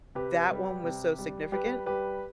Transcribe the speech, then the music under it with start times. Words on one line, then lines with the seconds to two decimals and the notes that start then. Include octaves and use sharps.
that one was so significant,
0.15 C3 G4 B4
0.49 G3
0.84 C3
1.19 G3
1.52 G3 G4 B4
1.86 G3 G4 B4